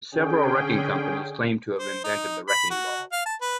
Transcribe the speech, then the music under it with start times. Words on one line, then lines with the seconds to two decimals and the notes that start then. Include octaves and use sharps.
Several wrecking companies claim to have invented the wrecking ball.
0.12 D3 C#4 G#4 G5
1.79 C5
2.04 D#4
2.49 B5
2.70 F#4
3.12 F5
3.26 A5
3.41 B4